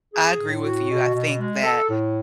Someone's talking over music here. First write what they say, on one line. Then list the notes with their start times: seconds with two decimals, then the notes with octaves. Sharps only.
I agree with you, I think that
0.14 G#4
0.38 A2
0.64 F#4
0.89 B2
1.13 B2
1.39 G#3
1.64 A4
1.89 A2